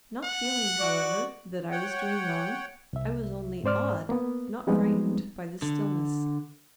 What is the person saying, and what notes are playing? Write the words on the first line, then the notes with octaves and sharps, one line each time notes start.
Not feeling, however, that I was doing wrong, I was only awed not frightened by the stillness.
F#5
F#4 D5
C#5 F#5 G5
C2 E5
G#2 C4 C5 D5 F6
A#3 B3
F3 G3 G#3 B3 C4 D#4
D3